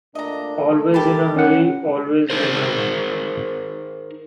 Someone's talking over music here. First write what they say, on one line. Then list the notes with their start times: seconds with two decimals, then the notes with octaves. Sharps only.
Always in a hurry, always behind.
0.15 A#2 A3 A#3 D4 D#5 A#5
0.58 A4
0.94 E4 G4 A#4 A5 B5
1.36 D3 C#4 F#5
2.30 D#4 G#4 A#4 C5